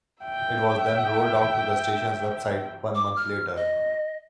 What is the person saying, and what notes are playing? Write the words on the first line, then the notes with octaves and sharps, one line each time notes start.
It was then rolled out to the station's website one month later.
E5 G5
D6
F6
D#5